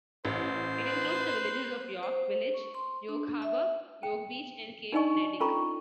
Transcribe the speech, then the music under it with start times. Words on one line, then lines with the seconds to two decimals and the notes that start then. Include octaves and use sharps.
It includes the villages of York Village, York Harbor, York Beach and Cape Neddick.
0.25 A1 C5
0.83 B4
2.03 C5
2.54 C#6
2.75 C6
3.09 D4
3.42 E5
4.03 G5
4.92 D4 D#4 D5 D#5 G#5 C#6
5.40 C#4 F4 A4 A#5 C#6